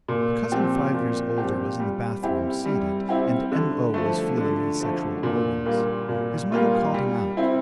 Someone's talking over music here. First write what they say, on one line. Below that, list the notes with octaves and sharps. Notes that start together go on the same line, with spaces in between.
A cousin five years older was in the bathroom, seated, and M.O. was feeling his sexual organs; his mother called him out.
A#2
F3 C4 G4
A#2
F3 C4 G4
G3
C4 E4 G4
G3
C4 E4 G4
D3
F3 A3
D3
F3 A3
A#2
G3 A#3 F4
A#2
G3 A#3 F4
G3
C4 E4